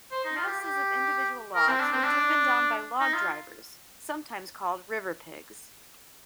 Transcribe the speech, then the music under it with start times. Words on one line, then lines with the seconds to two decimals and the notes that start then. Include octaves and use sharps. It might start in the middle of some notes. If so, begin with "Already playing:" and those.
Masses of individual logs were driven down by log drivers, sometimes called river pigs.
0.12 C5
0.24 D#4
0.36 F4
0.47 G4
0.60 G4
1.55 A#4
1.68 C4
1.80 D4
1.93 C4
2.04 D4
3.00 D#4
3.14 F4